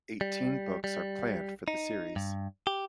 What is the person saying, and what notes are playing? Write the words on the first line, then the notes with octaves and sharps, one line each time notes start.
Eighteen books are planned for the series.
G3
G3
D#4
G2
G4